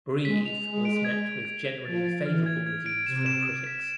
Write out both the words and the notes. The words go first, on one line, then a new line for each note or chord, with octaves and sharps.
Breathe was met with generally favorable reviews from critics.
G#3 B6
F7
G#3 F7
D7
G#6
G#6
G#6
G#6
F3 A6
A6
E3 F6
G#6
G#6
D7
C3 E7
E7
D7
B6